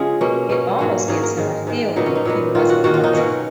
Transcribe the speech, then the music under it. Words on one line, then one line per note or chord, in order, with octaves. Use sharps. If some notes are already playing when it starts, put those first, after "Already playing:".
It almost gives him a feeling he wasn't wanted.
Already playing: C#3 G#3 F4 G#4
B2 A#3 C#4
B2 A#3 C#4
G#2 F#3 A#3 C#4
G#2 F#3 A#3 C#4 G#4
A#4
G#2 D#3 G#3
G#2 D#3 G#3
A#2 F#3 B3 D#4
C#4
D#4
A#2 F#3 B3
D#3 A#3 C#4 F4
F#4
D#3 A#3 C#4 F#4
F4
D#4
B2 F#3 C#4